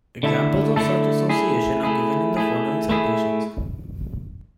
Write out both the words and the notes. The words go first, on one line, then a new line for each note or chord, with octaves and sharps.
Examples of such association are given in the following citations.
D3 A3 E4 A4
D3 A3 E4 A4
A3 E4 G#4
A3 E4 G#4
A3 E4 G#4
A3 E4 G#4